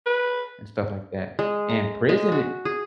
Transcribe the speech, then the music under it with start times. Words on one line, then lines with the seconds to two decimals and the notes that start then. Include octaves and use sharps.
And stuff like that and prison i
0.06 B4
1.39 G#3
1.69 A#5
2.09 G#3
2.32 F#4
2.65 G#4